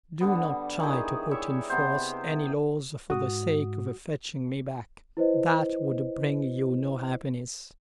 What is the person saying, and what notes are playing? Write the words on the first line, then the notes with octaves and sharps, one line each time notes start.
Do not try to put in force any laws for the sake of fetching me back: that would bring you no happiness.
D3 G3 B3
D#3 E3 G4 G#4
E4 C#5 E5
C3 B3 G4 C5
G#2 F#4 D#6
E4 B4 C5 D#5